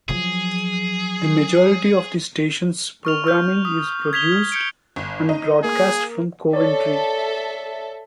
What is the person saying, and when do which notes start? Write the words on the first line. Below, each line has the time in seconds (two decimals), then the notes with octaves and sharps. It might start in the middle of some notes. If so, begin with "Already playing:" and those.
The majority of the station's programming is produced and broadcast from Coventry.
0.09 F3 F#3 G#4
3.05 C#6 F6 F7
3.27 F6 G6
3.65 D#6
4.13 G#6 B6 F7 G7
4.32 F6
4.52 G6 C#7 D7
4.96 G1
5.29 D#4
5.63 A#3 G#4
6.53 A4 C#5 D5 E5